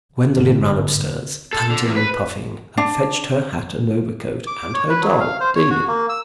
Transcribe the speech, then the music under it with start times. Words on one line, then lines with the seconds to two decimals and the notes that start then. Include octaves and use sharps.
Gwendolen ran upstairs, panting and puffing, and fetched her hat and overcoat and her doll David.
0.37 G1 G#2 D3 A#3
1.53 A4
1.70 D3
1.83 E2
1.96 B4
2.77 D4
4.47 D6
4.74 C#5
4.90 B4
5.02 F#3
5.20 F5
5.40 C5
5.56 C#5
5.70 F#4
5.87 A#3
6.09 E6